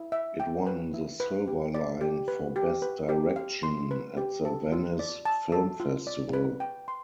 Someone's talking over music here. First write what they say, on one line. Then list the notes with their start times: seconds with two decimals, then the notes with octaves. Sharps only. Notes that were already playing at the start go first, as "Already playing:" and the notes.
It won the Silver Lion for Best Direction at the Venice Film Festival.
Already playing: E4
0.12 E5
0.40 G5
0.67 B4
0.94 E4
1.20 B4
1.47 G4
1.74 D5
2.01 G4
2.28 B4
2.56 G4
2.82 B4
3.09 G4
3.36 F5
3.63 C6
3.91 B4
4.17 G4
4.45 A4
4.72 F4
4.99 D5
5.25 A5
5.52 A4
5.80 F4
6.07 D5
6.33 B4
6.60 G5
6.88 C6